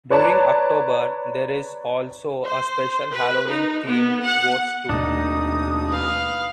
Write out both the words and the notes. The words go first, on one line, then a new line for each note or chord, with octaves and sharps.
During October, there is also a special Halloween themed ghost tour.
B4 C#5 D5 A5 A#5
C5
B4
D#4
B3
F#5
D#2 B2 A3 D4 D#4 D#6
B4 F5